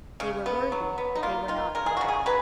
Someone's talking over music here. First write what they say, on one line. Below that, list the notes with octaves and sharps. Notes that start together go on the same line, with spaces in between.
They were worthy, but they were not august.
C#3
B3
F#3
B3
D#4
A#3 F4
D#3 F4
C#3 A#4
G#4
C#3 F#4
G#4
F#3 B4